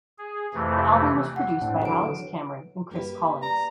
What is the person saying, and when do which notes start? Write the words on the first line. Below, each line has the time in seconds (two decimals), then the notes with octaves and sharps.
The album was produced by Alex Cameron and Chris Collins.
0.18 G#4
0.54 F2 C3 E3 A3
1.36 F#5
1.61 A2 C4 D4
1.82 D3 E3 F#3 B4 D7
2.91 A#3 G4 B4
3.42 D5 A#5